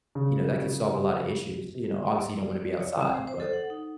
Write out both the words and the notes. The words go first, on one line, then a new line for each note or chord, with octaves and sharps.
you know, that could solve a lot of issues. You know, obviously you don't wanna be outside, but,
C#3
A#3
D5
C#5
C4
C5
C5
A4
F#5
D#4